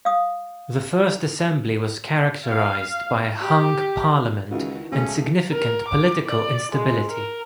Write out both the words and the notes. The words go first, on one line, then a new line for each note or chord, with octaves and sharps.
The first Assembly was characterised by a hung parliament and significant political instability.
F5 D#6
F5
G4
C#2 D#3 E3 F#4
C#2 A3 C#4
A#4
D6
D5
G#3
A#4